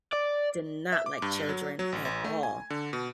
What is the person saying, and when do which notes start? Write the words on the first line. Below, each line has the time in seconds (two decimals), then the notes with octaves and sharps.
did not like children at all.
0.13 D5
0.92 E5
1.06 D6
1.22 G2
1.49 F#3
1.79 F#3
1.92 A1
2.05 A1
2.24 A3
2.43 G#5
2.70 D3
2.93 B2